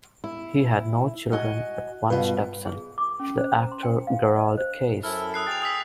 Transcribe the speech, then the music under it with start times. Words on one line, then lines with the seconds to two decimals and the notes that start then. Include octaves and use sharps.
He had no children but one stepson, the actor Gerald Case.
0.24 E4
1.32 F#4 D#5 G#5
2.10 G2 B2 F4 B4
2.66 G#4
2.98 D6
3.20 C#4
3.38 C5
3.57 A#5
3.72 C6
3.83 G5
4.07 F5
4.37 D#5
4.58 C5
5.03 F#2 E4 A4 F6
5.34 D#6 F#6 C7
5.47 G#4 G5 A6 F7
5.62 D#6 E6 B6